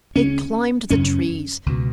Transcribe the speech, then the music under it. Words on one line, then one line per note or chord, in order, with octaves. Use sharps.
They climbed the trees.
C#2 C#3 C#4
F#2 C#3 C#4
C#2 B2